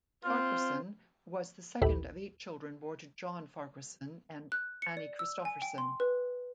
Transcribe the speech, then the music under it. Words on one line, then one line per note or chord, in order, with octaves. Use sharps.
Farquharson was the second of eight children born to John Farquharson and Anne Christopherson.
C4 F4
A#1 D#2 E4 G4 A4 B5
F#6
C#7
D5
E6
G#5
G5
C6
B4